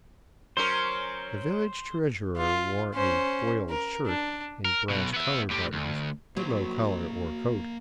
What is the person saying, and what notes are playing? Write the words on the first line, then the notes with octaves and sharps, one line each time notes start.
The village treasurer wore a "boiled shirt" and brass collar-buttons, but no collar or coat.
F#3 C#4 A#4 C5
F4
C#4 C5
A#4
D4
A#4
B1 B2
B3 E5
A2 G4
D2
F#3 A#3 C5